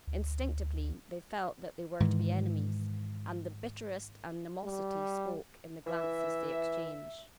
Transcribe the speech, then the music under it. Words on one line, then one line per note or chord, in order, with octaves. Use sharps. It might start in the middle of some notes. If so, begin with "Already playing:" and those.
Instinctively, they felt that they were to be enemies; and the bitterest animosity spoke in the glances they exchanged.
D2
G#2 D#3 E3
G3
E3 E5